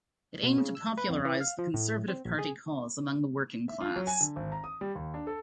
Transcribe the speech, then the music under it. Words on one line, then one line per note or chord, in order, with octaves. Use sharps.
It aimed to popularise the Conservative Party cause among the working class.
B2
C#3
E6
B4
F2
E3
F5
F3
A2
C4
A#1
G#4
E5
F4
F#3
G#5
D3
G#1
A#5
D#6
G3
D#2
D4
A4